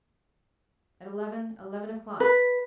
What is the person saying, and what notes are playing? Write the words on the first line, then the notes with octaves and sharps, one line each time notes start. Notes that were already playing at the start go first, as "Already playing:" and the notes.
At eleven--eleven o'clock.
B4